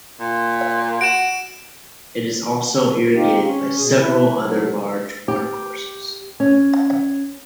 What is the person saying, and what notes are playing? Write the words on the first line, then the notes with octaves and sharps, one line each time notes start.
It is also irrigated by several other large watercourses.
A#2
F#4 D7 E7
C4 D#4 F4 G4
C#4
B2 G#4
E4 B4
G#2 C3 F#3
G4
C#4